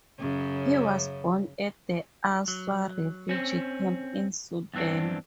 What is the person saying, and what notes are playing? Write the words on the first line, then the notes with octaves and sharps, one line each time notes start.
He was born at the Aswa refugee camp in Sudan.
F#2 C#3
F#3
C4 C#4
E2 G2 E3 C4 D4